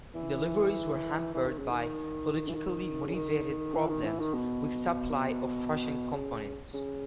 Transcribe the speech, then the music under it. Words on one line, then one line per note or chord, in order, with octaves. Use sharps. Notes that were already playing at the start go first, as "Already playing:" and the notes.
Deliveries were hampered by politically motivated problems with supply of Russian components.
E3
E3
D#3
C#3
D#3
E3
D#3
C#3
D#3
E3
D#3
E3
D#3
B2
C#3
C#3